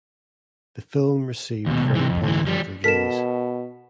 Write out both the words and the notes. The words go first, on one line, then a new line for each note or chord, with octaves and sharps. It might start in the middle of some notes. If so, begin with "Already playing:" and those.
The film received very positive reviews.
D#2 B2
C2
C3 E3
F2
D2 E3
F3 G3
B2 A4 A#4 B6 E7